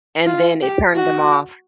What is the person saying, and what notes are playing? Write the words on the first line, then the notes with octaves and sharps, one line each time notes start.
and then it turned them off.
F4
G4
F#4